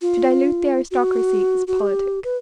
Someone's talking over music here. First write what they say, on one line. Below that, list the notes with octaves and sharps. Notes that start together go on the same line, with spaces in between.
To dilute the aristocracy is politic.
F4
F#4
F#4
G4
B4